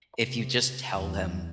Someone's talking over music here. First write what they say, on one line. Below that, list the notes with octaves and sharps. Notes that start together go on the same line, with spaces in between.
if you just tell them,
C3
E2